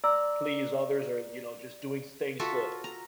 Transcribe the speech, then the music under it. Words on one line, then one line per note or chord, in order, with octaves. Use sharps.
please others, or, you know, just doing s things to
D5 A#5 E6
F4 F#4 A4 E5
A#5